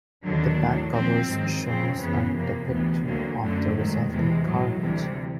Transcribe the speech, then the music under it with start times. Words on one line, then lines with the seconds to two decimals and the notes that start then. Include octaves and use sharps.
The back cover shows a depiction of the resulting carnage.
0.25 D#2 D3 F#3 D4
0.60 A2 F#3
0.95 G#2 F3 C4
1.31 G#2 D#3 F#3
1.65 F2 C#3 F3 C4
2.00 F#2 C#3 E3 B3
2.36 F2 C3 F3 A#3
2.70 D2 C3 E3 B3
3.05 D2 D3 F#3 A#3
3.40 F#2 D3 F#3 A3
3.76 G#2 D#3 F#3
4.11 E2 C3 E3 G#3
4.47 A2 F#3
4.81 D2 C3 E3 G3